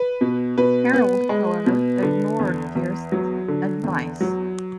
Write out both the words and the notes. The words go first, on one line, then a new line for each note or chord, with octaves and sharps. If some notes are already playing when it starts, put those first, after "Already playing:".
Harold, however, ignored Gyrth's advice.
Already playing: B4
B2
B2 B4
B3
G#3
B2
D3
E2
E2
F#3
D3
E2
F#3